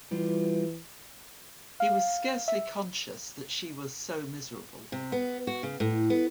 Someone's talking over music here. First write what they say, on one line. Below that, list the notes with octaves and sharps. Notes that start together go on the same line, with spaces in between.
He was scarcely conscious that she was so miserable.
E3 G3 F4
F5
E5
C3
B3
F#4
C#3
A2
B3